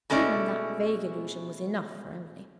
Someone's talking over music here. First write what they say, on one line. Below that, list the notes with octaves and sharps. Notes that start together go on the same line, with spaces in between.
Even that vague allusion was enough for Emily.
B2 G#3 A3 C#4 D5